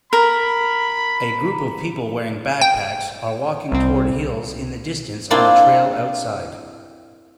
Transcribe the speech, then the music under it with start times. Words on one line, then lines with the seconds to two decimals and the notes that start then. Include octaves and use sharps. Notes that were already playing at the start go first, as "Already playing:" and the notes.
A group of people wearing backpacks are walking toward hills in the distance on a trail outside.
0.13 A#4 B5
2.61 G5
3.72 C2 C4
5.31 A#3 C4 D4 E4 F4 G5